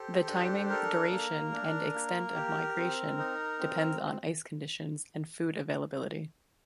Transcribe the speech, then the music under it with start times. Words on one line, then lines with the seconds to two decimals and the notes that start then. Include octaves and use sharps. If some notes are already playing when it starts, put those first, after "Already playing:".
The timing, duration, and extent of migration depends on ice conditions and food availability.
Already playing: G4 A4 C5
0.29 D4
0.69 A4 A#4
1.11 A#3
1.52 D4
1.94 A#3
2.35 G4
2.76 C4
3.17 D#4
3.59 C4